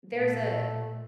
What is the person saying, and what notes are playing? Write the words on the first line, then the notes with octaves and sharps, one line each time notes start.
there's a
A#2 A3